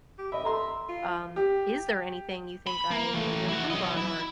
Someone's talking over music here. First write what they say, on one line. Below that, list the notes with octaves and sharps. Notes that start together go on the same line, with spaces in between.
um, is there anything you think I need to improve on, or,
G4
D#5 E5 B5
A4 A#5 C6
F4
G4
B5
A#3
E3 A3
E4 F#4
F#3 D#5
E4